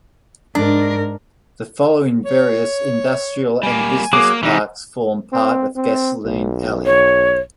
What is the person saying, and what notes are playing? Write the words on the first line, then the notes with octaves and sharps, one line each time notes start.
The following various industrial and business parks form part of Gasoline Alley.
G#2 D4 A#4
C#5
G3 A#3 G#5
F#3 A#3 G#4 D6
C3 E3 G3 D#4
C4
C4
B1
C#5